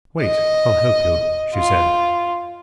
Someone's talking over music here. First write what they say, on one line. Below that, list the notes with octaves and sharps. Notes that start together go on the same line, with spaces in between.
"Wait, I'll help you," she said.
D#5
F4